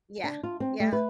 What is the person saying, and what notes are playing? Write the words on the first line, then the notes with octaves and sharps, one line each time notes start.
Yeah. Yeah.
D4
F4
C4
A3
B4